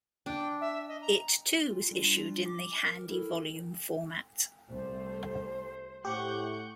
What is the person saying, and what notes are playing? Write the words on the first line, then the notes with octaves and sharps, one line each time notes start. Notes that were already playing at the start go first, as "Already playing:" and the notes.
It too was issued in the "Handy Volume" format.
D4 G5
E5
D#5
A#5
F4
G3 D4 F4
D6
A#4
E4 A4 A#4
C2 G3 A3 C5
A2 A3 G4 F#5 C#6 G6